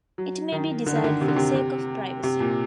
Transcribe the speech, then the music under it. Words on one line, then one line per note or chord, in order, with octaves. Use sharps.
It may be desired for the sake of privacy.
F#3
D#3
D3
D#3
D3
C3
D3
C3
C3
C3
A#2